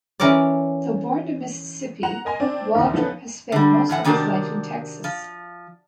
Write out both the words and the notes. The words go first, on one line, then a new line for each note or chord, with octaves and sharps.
Though born in Mississippi, Waldrop has spent most of his life in Texas.
E3 C#4 A#4 C#5 D5
F#5 A#5 F7
A#4 D#5 G#5 C6
C4 D4 D5
A#1 D#2
F3 B3 D#4 A4 B4
D3 G3
A2 E3 F#5
C3 D#3 D4 F#4 G4 A#4
F3